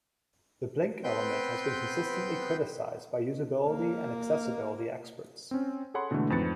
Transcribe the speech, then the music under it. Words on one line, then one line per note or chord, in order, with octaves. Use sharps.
The blink element has been consistently criticised by usability and accessibility experts.
B3 C4 B4 G5 C6 G6
A#3
C4 C#4
G#4 A4 C#5 F#5 B5 C6
B2 D3 E3 G#3 A3 B3
F2 G#2 B4 A6 C#7